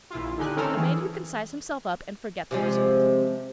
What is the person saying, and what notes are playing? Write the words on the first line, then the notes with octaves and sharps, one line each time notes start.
A man who can size himself up and forget the result.
A#1 E4 F4
D3 D#4 G4 G#5 F#6
D#3 C4 C#4 A4 A#4
E3 G#4
C3 F3 G#3